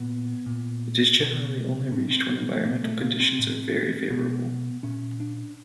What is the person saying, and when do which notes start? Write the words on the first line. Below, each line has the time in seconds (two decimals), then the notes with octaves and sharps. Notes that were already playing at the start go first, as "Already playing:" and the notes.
It is generally only reached when environmental conditions are very favorable.
Already playing: A#2 B3
0.46 A#2
1.19 B2
1.92 A2 C#4
2.10 C4
2.29 B3
2.56 A3
2.65 A#2 A#3
2.83 A3
3.01 A#3
3.20 C4
3.39 A2
4.10 B2 B3
4.83 A#2 C#4
5.20 D4